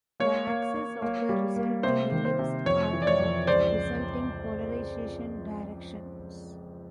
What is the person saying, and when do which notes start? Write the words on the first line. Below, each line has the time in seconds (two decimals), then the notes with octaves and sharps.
The axes of the resulting ellipse are the resulting polarization directions.
0.20 A#3 C#5
0.47 A#3
0.74 A#3
1.02 A#3
1.29 G3
1.56 A#3
1.83 C3 C5
2.12 D#3
2.25 C5
2.39 C3
2.65 F2 C#5
2.93 E3
3.02 D5
3.07 C#5
3.20 F2
3.47 C#2 C5 D5